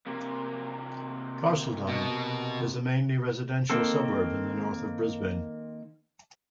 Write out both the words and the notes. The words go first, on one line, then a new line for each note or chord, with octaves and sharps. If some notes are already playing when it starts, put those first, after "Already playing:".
Carseldine is a mainly residential suburb in the north of Brisbane.
C3 A#3
B2
D#3 A#3 C4 A4